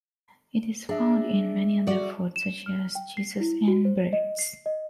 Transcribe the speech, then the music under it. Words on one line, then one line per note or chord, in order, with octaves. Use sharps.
It is found in many other foods, such as cheeses and breads.
D4 G#4 E5
F#4 D5
E7
F6
G5
C7
E4
F#4
C5
D#5
C7
D#5